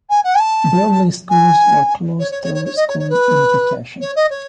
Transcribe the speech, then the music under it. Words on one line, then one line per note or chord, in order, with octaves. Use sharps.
Beverly schools were closed through school unification.
G#5
F#5
G#5
A5
G#5
C#5
C#5
C#5
C#5
C#5
D#5
C#5
C#5
B4
C#5
D#5
C#5